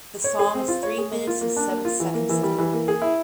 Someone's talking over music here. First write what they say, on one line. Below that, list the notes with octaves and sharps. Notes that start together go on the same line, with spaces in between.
The song is three minutes and seven seconds in length.
C#5
G#4
C4
F4
C#5
G#4
A#3
F4
A#3
D4
A#3
F4
E3
A#3
E3
G3
E3
A#3
G#4
E4